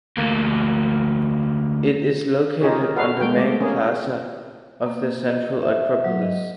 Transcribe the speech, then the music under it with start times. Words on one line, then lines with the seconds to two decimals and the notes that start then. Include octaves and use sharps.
It is located on the Main Plaza of the Central Acropolis.
0.17 D2 A#3
2.61 D#4 F4 G4 G#4 C#5
2.81 A#4
2.96 F#4 A4 B4 F5
3.20 G#3 A#3 G5
3.37 A3 D5
3.60 A#3 C#4 G#4
4.86 A#3
5.29 D#5
5.62 E5
6.04 F#3
6.22 D#5